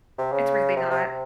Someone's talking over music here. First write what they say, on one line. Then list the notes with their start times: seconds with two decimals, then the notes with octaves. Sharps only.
It's really not.
0.18 C3
0.32 C#3
0.76 C3
0.91 C3
1.05 C3